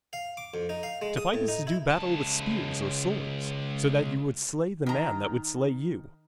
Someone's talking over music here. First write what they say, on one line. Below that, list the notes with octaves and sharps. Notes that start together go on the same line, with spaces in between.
'To fight is to do battle with spears or swords, so that you would slay the man that would slay you.'
F5
D6
F2
D#4
F5
G#3
D#6
A2
D#4
E4
C#2 A5
D#3 A#5